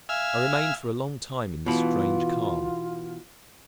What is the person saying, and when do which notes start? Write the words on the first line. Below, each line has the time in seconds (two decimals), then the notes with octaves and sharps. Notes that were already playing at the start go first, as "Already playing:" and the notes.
I remained for a long time in this strange calm.
0.09 E5 F5 G#5 E6 F6
1.66 B2 E3 B3 F4